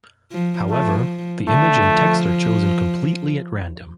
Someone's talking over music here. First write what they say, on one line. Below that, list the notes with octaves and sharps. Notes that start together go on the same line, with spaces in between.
However, the image and text are chosen completely at random.
F3
F3 A3
D3 A3
F3